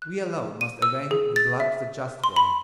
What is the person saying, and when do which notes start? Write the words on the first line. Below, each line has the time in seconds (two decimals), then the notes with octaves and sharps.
We alone must avenge the blood of the just one....
0.02 F#6
0.61 D#7
0.82 E6
1.11 G#4
1.36 A6
1.60 E5
2.24 C6
2.36 B5